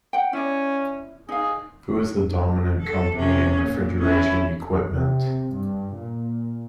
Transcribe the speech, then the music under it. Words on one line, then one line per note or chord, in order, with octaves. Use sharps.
Who is the dominant company in refrigeration equipment?
F#5 G5
C#4 E4 D5
D#4 G#4 F5
A4
C3 C#4
A#2
C#4 E4
C3
G2
A#2